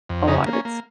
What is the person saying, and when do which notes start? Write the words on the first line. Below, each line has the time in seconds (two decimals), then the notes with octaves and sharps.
a lot of it's,
0.09 F2
0.28 C#3 D#4
0.46 A#3
0.53 C#4
0.65 A#3